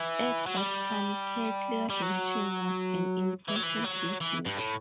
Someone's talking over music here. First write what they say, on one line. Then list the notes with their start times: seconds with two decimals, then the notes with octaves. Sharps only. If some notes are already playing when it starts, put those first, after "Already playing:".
At that time cattle ranching was an important business.
Already playing: E3
0.46 F#3
0.56 G3
1.90 G3
2.02 F#3
3.48 E3
3.56 F#3
3.63 E3
3.84 F#3
4.21 E3
4.45 G2
4.57 A2